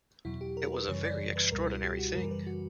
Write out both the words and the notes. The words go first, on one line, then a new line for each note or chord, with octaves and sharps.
It was a very extraordinary thing!
E2 B2 F#3 E4
G4
A#4
B4
F#2 C#3 E3 G3 C#5
D5
B4
C#2 B2 G3 A#4
E4
G4
F#4
F#2 C#3 E3 G3 A#4
B4
F#4